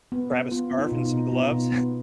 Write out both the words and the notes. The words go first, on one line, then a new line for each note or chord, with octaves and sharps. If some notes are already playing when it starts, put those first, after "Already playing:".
Grab a scarf and some gloves.
B3
B3
B3 F4
B3
D#4
F4
B2 D#4
D#4
B2
B3 F4
D#4
B2 F4
B3